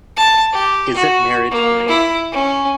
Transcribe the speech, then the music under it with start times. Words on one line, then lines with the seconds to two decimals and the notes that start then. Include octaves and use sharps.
Isn't marriage great?
0.17 A5
0.53 G4
0.95 F#4
1.51 A#3
1.89 E4
2.32 C#4